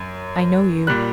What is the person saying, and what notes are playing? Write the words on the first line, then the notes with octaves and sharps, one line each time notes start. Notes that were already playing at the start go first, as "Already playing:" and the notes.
I know you.
Already playing: F#2 F#3
A#2 G3 F#6